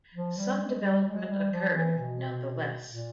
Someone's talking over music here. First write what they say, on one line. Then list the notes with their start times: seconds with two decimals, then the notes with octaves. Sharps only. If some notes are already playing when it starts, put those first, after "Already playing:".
Some development occurred nonetheless.
0.15 F3
0.38 G3
0.61 G#3
0.84 G3
1.07 G#3
1.30 G3
1.52 F3
1.75 E3
1.98 B2
2.90 A#2